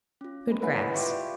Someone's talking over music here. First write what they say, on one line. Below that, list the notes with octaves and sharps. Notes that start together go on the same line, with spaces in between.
Good grass.
C#4 F4
G#3 B4
E4 B4 C#5 F#5 G#5
F4 G4 E5 C#6
D5